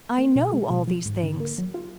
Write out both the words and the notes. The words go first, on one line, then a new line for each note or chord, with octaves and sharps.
I know all these things.
A#3
B2
G#3
B2
F3
G#2
D3
A#3
F#3
F4